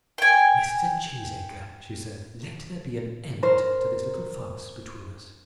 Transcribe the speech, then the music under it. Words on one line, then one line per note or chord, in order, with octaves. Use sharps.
"Mr. Cheesacre," she said, "let there be an end to this little farce between us."
G5 G#5
A#4 C5